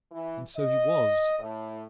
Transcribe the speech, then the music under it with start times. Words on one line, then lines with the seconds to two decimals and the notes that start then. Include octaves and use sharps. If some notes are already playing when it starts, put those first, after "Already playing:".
And so he was.
0.12 E3
0.56 D#5
1.39 A2